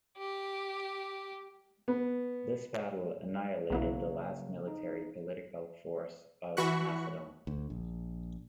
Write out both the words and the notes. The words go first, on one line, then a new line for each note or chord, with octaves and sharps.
This battle annihilated the last military-political force of Macedon.
G4
B3
B1 C#3 F#3 A#3 B3 E4
D#4
E3 F#4 B5 C#6 F#6
D2
A#1